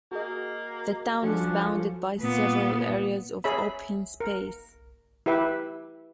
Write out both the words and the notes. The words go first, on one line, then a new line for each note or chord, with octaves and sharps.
The town is bounded by several areas of open space.
A#3 F#4 G#4 D#5
F3 C#4 D4 F#4 A4 C#7
A#2 B3
G#4 C#5 E5 B5
A#4
E4 G4 B4 E5